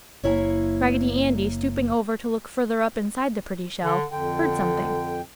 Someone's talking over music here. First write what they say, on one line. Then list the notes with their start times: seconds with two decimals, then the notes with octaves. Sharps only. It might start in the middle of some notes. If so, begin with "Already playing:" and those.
Raggedy Andy, stooping over to look further up inside the pretty shell, heard something.
0.24 F#1 A#3 E4 C#5
3.84 D3
4.12 F2 D3 G5